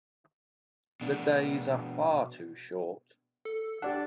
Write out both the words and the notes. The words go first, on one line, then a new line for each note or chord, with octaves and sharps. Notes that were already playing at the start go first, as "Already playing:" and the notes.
The days are far too short.
B2 D4
A4
D4 G4 D5 F#5